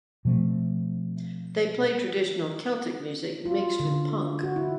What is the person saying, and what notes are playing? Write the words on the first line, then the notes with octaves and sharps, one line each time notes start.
They played traditional Celtic music mixed with punk.
B2 F3 A3 C4
F4
D3
F#4
E4